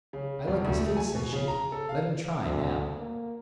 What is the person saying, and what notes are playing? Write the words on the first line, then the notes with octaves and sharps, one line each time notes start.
"I like his face," said she; "let him try, now."
C#3
F1
D2
A3
G#5
B2
C#3
A#5
A4
F5
D2
A#3